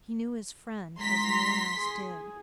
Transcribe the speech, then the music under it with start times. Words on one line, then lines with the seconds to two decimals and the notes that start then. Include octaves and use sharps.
He knew his friend as no one else did.
0.98 G#3 A#5 C6 B6
1.75 G#4